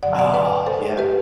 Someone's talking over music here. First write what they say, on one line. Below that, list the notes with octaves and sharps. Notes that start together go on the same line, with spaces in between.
Oh, yeah.
G2 D3 F#3 D5 F#5
D5 F#5
B4 D5
A4 C5
G4 B4